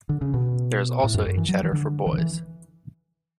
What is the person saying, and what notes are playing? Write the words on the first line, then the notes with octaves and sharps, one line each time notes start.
There is also a cheder for boys.
D3
C#3
B2
A2
F#2
F#2
E3
F#3
E3
D3
E3
D3
E3